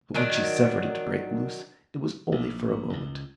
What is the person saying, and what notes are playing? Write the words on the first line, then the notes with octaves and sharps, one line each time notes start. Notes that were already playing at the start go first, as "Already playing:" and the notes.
But, when she suffered it to break loose, it was only for a moment.
D#3 F#3 D4
A#1
C#2